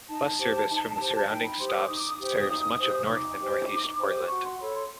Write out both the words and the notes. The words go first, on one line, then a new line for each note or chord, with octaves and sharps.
Bus service from the surrounding stops serves much of North and Northeast Portland.
D#4 A5
G4 C5
D#4
G4 C5
D#4 G5
B5
G4 C5 C6
D#6
D6
D#4 D#6
D6
D#6
G4 C5
D#4
G4 C5
C#6
D#4 D6
G4 C5
D#4
G4 C5
D6
F#4 C#6
C6
A4 C#5 B5
C6